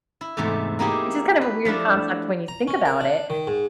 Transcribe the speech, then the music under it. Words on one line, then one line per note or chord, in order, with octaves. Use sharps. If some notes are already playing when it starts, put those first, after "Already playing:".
which is kind of a weird concept when you think about it.
E4
E2 G#2 C3 G#3 A3
A#3 D#4 E4 G4 G#4
B4
F3 A3 D4 E4
A#5
C#4
A#4
D4
D#3
G#2